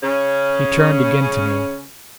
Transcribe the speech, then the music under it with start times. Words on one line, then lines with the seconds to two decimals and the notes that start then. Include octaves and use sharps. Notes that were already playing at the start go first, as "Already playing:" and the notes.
He turned again to me.
0.03 C#3 C#4